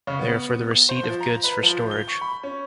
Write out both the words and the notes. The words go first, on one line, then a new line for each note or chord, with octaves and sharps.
They are for the receipt of goods for storage.
C#3
B3
C5
F3
A#5
B4
F3
G6
G7
C#6
B5
C#4